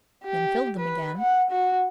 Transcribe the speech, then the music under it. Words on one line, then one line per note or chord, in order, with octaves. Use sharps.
Then filled them again.
G4
B4
F#5
F#4